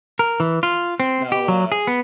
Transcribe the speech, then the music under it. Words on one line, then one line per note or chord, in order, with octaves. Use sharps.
No, uh,
A#4
E3
F4
C4
G4
F#3
G#4
B3